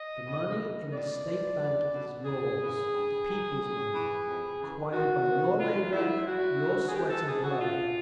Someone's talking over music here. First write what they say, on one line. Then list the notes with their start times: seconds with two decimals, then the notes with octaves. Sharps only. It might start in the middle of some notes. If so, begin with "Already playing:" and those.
The money in the State Bank is yours, the people's money, acquired by your labour, your sweat and blood.
Already playing: D#5
0.24 E2
0.58 B2
0.91 A2 D5
1.24 F3
1.58 E2
1.91 B2
2.25 E2 G#4
2.59 C#3 E3
2.92 G2
3.26 D#3
3.59 A2
3.92 E3
4.26 F2
4.59 C#3 E3
4.93 A2 F#4
5.26 F3
5.60 G2 F4
5.93 D3 F3 E4
6.27 E2 F#4
6.61 C#3 E3
6.89 G#4
6.94 F2 G4
7.10 A4
7.27 C#3 F3 G#4
7.43 F#4
7.61 D2 F4